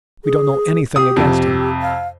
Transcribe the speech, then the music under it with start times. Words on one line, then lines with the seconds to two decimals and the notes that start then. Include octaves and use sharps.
"We don't know anything against him!"
0.24 G#4
0.96 G4 D#6
1.16 F2 C3
1.82 F5